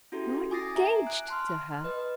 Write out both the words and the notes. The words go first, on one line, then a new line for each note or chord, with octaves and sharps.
"You are engaged to her!"
C#4 E4 F#4 G4 A4
G#5 D6 D#6 A6 A#6 C7
E5 G#5 A#5
F#6 D7
A5 C6 F6
B4 D#5